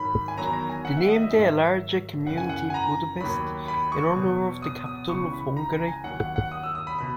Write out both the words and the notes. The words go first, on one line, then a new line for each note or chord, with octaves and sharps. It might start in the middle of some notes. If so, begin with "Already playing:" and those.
They named their larger community Budapest in honor of the capital of Hungary.
Already playing: G#2 D#3 F#3 B5
G#5
E2 D#3 F#3 A#5
A#5
G#5
F#5
E5
D#5
E5
G#2 D#3 F#3
F#2 C#3 E3 F#5
G#5
F#5
G#5
A#5
D#2 D#3 F#3 B5
B5
C#6
E2 B2 F#3
D#6
D#6
C#2 C#3 E3 C#6
B5
A#5
A#5
G#5
D#2 D#3 F#3 F#5
F#5
F#5
D#6
E6
D#6
B5
B2 B5